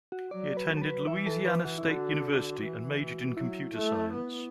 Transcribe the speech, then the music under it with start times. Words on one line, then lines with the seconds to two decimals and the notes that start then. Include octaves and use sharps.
He attended Louisiana State University and majored in Computer Science.
0.12 F#4
0.31 F#3 D5
0.57 B4
0.77 A4
0.82 B4
1.07 E3 E5
1.26 A4
1.46 B4
1.65 F#4
1.78 E4
1.84 D3
1.91 F#4
2.60 E3
3.36 F#3 E4
3.75 A3
4.13 B3